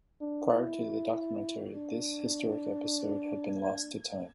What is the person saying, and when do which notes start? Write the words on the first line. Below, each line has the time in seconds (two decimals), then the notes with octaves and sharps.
Prior to the documentary this historic episode had been lost to time.
0.21 D4
0.52 E4
1.74 D4